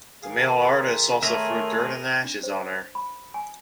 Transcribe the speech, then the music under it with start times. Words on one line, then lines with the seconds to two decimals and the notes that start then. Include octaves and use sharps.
The male artists also threw dirt and ashes on her.
0.22 D#3 G#4 F5
0.62 F4 G#4 E5
1.23 A3 G#4 A#4 C#5 E5 G#5 C6
2.24 D4
2.43 C5
2.95 B5
3.34 G#5